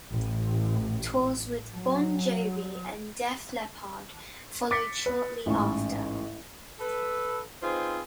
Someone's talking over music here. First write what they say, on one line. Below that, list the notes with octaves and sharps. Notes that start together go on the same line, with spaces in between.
Tours with Bon Jovi and Def Leppard followed shortly after.
A1
F#3
D6 A6 B6 C#7
B4
A1 G#2 C#4 C#6
A4 B4
C4 D#4 F4 G#4 B4 C5